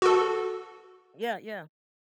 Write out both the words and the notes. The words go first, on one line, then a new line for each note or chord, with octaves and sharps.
Yeah, yeah.
F#4 A4